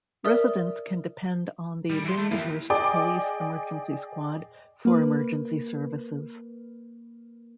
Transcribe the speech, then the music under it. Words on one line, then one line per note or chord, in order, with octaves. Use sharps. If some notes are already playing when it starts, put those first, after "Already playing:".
Residents can depend on the Lyndhurst Police Emergency Squad for emergency services.
A#4 D5 E5 D#6
G3
E3 C6
A3
A#3 E4 G4
G#4 D5 D#5 G5 D6
A#3 B4